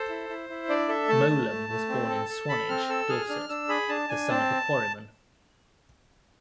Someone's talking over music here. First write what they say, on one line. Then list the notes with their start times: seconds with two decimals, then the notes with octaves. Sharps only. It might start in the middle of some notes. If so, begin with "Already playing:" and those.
Mowlem was born in Swanage, Dorset, the son of a quarryman.
Already playing: A4 C5
0.09 E4
0.29 E4
0.50 E4
0.69 D4 D5
0.89 A4 E5
1.09 A3 A5
1.29 A3
1.49 A3
1.69 A3
1.89 C4
2.09 A4
2.29 A4
2.49 A4 B5
2.69 C4 F6
2.89 A4 E6
3.09 G#4 F6
3.29 D4 F6
3.49 D4 E6
3.69 G#4 B5
3.89 D4 A5
4.09 D4 G#5
4.29 C4 A5